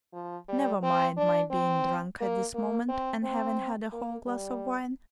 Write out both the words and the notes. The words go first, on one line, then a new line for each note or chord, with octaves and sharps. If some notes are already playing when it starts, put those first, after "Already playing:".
Never mind my being drunk at this moment and having had a whole glass of wine.
F3
G3
C4
D4
C4
A#3
A#3
C4
C4
A#3
G3